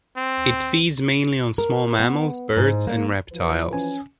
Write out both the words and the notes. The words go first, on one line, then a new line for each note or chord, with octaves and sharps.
It feeds mainly on small mammals, birds, and reptiles.
C4
A#4
B3
G#2
A#3
E3 F3 B4
C#4 G#5